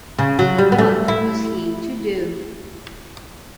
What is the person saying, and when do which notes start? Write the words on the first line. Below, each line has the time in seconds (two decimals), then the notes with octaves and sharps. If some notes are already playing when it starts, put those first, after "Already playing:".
What was he to do?
0.18 C#3
0.39 F#3
0.58 G3
0.72 B3
0.78 A3
1.08 E4